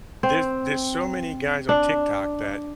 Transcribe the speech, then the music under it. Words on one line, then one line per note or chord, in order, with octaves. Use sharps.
There's there's so many guys on TikTok that
C4
D4